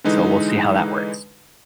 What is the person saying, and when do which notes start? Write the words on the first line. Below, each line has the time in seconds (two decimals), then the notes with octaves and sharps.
So, we'll see how that works.
0.04 D3 E3 G#3 D#4 B4